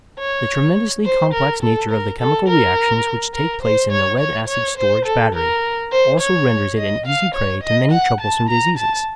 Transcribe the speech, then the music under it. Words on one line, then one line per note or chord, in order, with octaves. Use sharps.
The tremendously complex nature of the chemical reactions which take place in the lead-acid storage battery also renders it an easy prey to many troublesome diseases.
C#5
C5
A#4
A4
A#4
A4
A#4
A#4
C5
C#5
C#5
C#5
C5
A4
A#4
C5
C#5
D#5
F5
C#5
D#5
F#5
A5
A#5
A5